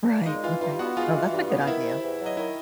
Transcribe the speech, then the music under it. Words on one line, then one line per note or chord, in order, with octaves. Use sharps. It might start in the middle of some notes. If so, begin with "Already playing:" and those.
Right, okay. Well, that's a good idea.
A#2
G#3 D#4 D#5
E3 F4 F5
G2 F4 F5
B3 F#4 F#5
G#3 F4 F5
E3
G2
B3
F5
D#3 E4 E5
C3
E2
F#3
D#5
D#3 E4 E5